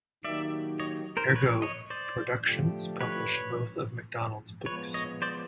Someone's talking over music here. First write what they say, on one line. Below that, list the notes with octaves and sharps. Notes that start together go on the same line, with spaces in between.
Ergo Productions published both of McDonald's books.
D#3 F#3 A#3 D#4 G4 D5 E5
C#5 D#5
A#4 C5
B4 C#5
C#5 D#5
C5 D5
D3 F3 A3 D4 G4
B4 C#5
F3 G#3 B3 B4 C#5
C#5 D#5
C5 D5